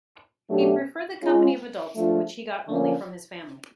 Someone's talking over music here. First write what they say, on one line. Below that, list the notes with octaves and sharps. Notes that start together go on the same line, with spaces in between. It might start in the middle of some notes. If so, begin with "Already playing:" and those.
He preferred the company of adults, which he got only from his family.
B2 F#3 A3 D4 G4
G#3 C#4 F4
F3 A3 D4 F4
D3 F3 A#3 C#4